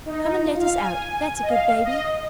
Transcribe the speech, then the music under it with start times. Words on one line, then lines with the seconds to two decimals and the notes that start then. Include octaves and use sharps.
Come and let us out, that's a good baby.
0.06 D#4
0.23 D#4
0.42 F4
0.59 F5
0.77 G#5
1.42 D#5
1.49 F5
1.85 D#5